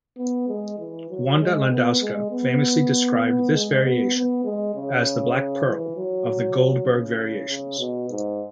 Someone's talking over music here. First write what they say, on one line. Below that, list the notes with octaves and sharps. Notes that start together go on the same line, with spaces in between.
Wanda Landowska famously described this variation as "the black pearl" of the "Goldberg Variations".
B3
G#3
E3
F#3
G#3
B3
G#3
B3
B3
G#3
B3
B3
G#3
C#3
E3
F#3
C#3
C#3
B2
G#2